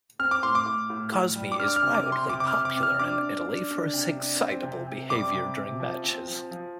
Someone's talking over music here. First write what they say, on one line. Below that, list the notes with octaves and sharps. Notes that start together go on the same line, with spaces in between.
Cosmi is widely popular in Italy for his excitable behaviour during matches.
C4 F6
D6
A2 C6
D6
A2
A2
A2
G3
D6
D4 F6
D6
F6
C3
D6
C3
C6
C3 D6
D6
F6
C3
D6
C3
F6
D4 D6
D4
D4
D4
C3
D4
C4
C3
C3
G3 D6
C3
C3
F3
C4
F3
F3